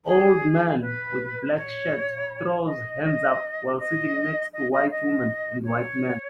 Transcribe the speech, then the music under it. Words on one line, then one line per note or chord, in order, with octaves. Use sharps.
Old man with black shirt throws hands up while sitting next to white woman and white man.
G#4
B4
C#5
D#5
D#5
D#5
D#5
D#5
D#5
C#5